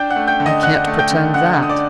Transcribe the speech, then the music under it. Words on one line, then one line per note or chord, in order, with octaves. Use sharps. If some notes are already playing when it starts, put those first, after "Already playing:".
"I can't pretend that."
Already playing: D4 G5 G6
F#5 F#6
A3
G5 G6
D3
D#5 D#6
D4 F#5 F#6
A3
G5 G6
D3
D3 F#5 F#6
D3 D#6
D5 D6